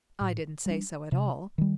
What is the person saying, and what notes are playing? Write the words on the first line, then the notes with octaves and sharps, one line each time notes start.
"I didn't say so at all."
A2
G3 D4
C3
D#3 G3